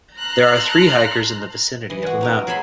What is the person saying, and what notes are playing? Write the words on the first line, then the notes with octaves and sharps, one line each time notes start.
There are three hikers in the vicinity of a mountain.
A5 A#5 C6 F6 F#6
E3 D#5
G#3 F#4
C4 D#4 A#4
F#3 G#4 E5 B5 C6